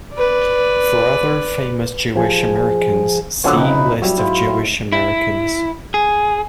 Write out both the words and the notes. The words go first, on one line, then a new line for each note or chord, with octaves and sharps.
For other famous Jewish Americans, see List of Jewish Americans.
B4 D5
F3 G#4
D3 F3 F#3 A#3 B3 C#4 C6 C#6
F2 C#3 D#4 E4 B4
F#3 G3 E4
G#2 E4 F4
A2
E4
G#4